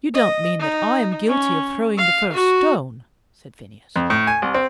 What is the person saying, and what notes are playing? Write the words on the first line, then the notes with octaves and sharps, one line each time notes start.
"You don't mean that I am guilty of throwing the first stone?" said Phineas.
D#5
D#4
C#4
F5
F#4
F2
A2
G#5
C2
C4